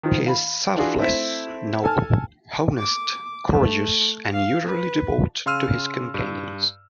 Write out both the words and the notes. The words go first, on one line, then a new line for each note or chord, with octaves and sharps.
He is selfless, noble, honest, courageous, and utterly devoted to his companions.
D#3 F3
F5 B5
E3 D4 F4 F#4 G#4
A3 C4 E4 E5
A4 G#5 A5 F6
D6
A3
F5
B4
C#3 F5 C6 E6 F6 D#7
G2